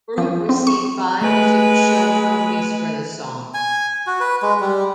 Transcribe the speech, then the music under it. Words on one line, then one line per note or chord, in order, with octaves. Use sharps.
The group received five music show trophies for the song.
F3
C4
C#6
G#3 A3 B4
G#5
F#4
B4
G#3
G3